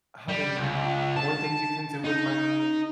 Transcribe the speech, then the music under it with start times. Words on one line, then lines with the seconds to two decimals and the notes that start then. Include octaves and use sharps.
having more things you can do with money,
0.28 G3
0.58 C#2
1.17 A5
2.05 D#4